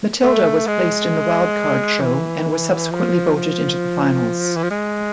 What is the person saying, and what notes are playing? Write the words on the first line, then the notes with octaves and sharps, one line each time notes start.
Mathilda was placed in the wildcard show and was subsequently voted into the finals.
A3
G#3
E3
F3
F3
E3
F3
G#3